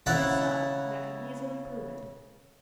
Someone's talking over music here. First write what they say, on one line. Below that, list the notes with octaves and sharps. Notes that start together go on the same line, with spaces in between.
It is so, and I can easily prove it.
C#3 E4 E5 F#5 A5 A#5